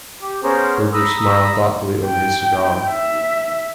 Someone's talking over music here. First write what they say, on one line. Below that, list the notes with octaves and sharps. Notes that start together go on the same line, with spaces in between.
Burger smiled thoughtfully over his cigar.
G4
B3 C#4 G#4 A#4 C5 C#5
A#5 B5 D#6 E6
G5
E5